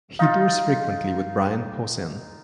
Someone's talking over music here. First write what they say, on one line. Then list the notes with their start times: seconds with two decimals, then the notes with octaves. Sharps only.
He tours frequently with Brian Posehn.
0.19 D#4 F4 F5